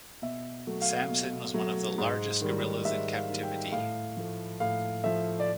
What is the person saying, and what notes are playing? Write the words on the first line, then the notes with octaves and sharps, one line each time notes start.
Samson was one of the largest gorillas in captivity.
B2 E5
F#3 A3
F5
B2
F#3 A3
G#2
D#3 G3
G#2 E5
F5
D#3 G3
G5
A2 F5
F3 A3
A2 F5
F3 A3 E5
D5